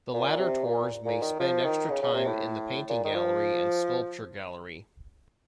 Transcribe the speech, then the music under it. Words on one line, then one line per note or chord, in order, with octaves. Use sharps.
The latter tours may spend extra time in the Painting Gallery and Sculpture Gallery.
A#2
C3
A#2
A#2
D#3
F3
D#3
C#3
C#3
C3
A2
A#2
D#3
F3